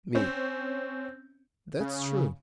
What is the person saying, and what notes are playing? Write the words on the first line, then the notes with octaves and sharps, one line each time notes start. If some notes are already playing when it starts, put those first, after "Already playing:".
ME: That's true.
C4 C#4
C#3